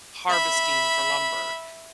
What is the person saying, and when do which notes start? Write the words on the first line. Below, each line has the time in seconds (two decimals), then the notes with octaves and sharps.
harvesting for lumber.
0.29 E5 B5